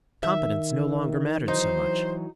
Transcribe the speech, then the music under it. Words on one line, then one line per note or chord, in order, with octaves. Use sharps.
Competence no longer mattered so much.
D#3 E5
E3 F#3 D#4 C5